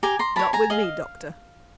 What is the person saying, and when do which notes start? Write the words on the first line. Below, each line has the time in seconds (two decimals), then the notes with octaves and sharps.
'Not with me, Doctor.
0.03 G4 G#5 A#5
0.19 A#5 C6
0.36 A#4 C#5 A5 B5
0.53 G#5 A#5
0.70 G#4 D#5 F5